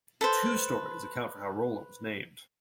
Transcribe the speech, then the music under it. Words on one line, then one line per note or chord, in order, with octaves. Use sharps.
Two stories account for how Rolla was named.
A4 B4 C5